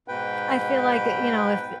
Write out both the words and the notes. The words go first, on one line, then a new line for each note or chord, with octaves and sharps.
I feel like, you know, if
G#2 B2 B4 G5